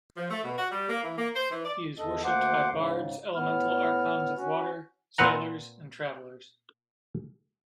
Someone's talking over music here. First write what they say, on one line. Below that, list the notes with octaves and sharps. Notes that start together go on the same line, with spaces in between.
He is worshipped by bards, elemental archons of water, sailors and travelers.
F3
A3
B2
F#4
G3
A#3
E3
A#3
C5
E3
D5
E2 A4 D#5
D2 A#3 C5 F#5 C6 D6
G#2 C#3
A2 B3 F6
C#4 F#4
A#2 C4 B4 F#5 A#5